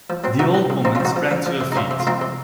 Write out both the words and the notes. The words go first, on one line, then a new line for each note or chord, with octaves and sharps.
The old woman sprang to her feet.
F3
F#3 C4
C3 D#4 F#4
F#3
C#3
F3 C4 D#4
C#4 F4
F3 D#4 F#4
F3
F3
F3
C3
D#4
C3 C#4 F4
C3
F4
F3 C4 D#4
C3